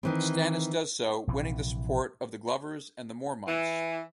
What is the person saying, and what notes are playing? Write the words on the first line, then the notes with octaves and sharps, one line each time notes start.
Stannis does so, winning the support of the Glovers and the Mormonts.
D#3 E3 C4
A#1 C3 E3
E3